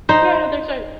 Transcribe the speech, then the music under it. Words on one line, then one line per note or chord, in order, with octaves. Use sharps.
Yeah, there's a
D#4 C5